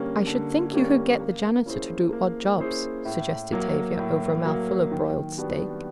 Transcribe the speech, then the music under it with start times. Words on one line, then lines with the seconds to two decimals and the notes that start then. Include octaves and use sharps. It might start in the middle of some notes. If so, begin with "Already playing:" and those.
"I should think you could get the janitor to do odd jobs," suggested Tavia, over a mouthful of broiled steak.
Already playing: D3 G3 A#3 C#4
0.27 D3
0.73 G3 A#3 C#4
1.19 A#3
1.66 C#4 E4 G#4 C5
2.13 A#3
2.59 C#4 E4 G#4 C5
3.05 A2
3.52 F#3 A#3
3.99 A2
4.45 F#3 A#3
4.91 D#3
5.38 G3 B3 D4 F#4